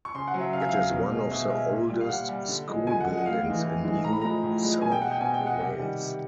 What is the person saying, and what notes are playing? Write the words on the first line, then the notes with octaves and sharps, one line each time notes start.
It is one of the oldest school buildings in New South Wales.
C#6
C#3 C6
F#5
F#3
E5
C#3 F5
E5
F#3 F5
B2
G#3
B2 E5
G#3 E5
A#2
G3
F5
A#2 F#5
G3
D3
F3 G#3
D3 G#5
F#5
F3 G#3
F#5
A2 F5
E3 G#3
A2
E3 G#3
A2 A#5
B5
F3 G#3 A#5
A2
F3 G#3
B2 G#5
G5
G#3 F#5
G5
B2 G#5
G5
G#3
F#5
C3 F#5
D#3 G3
C3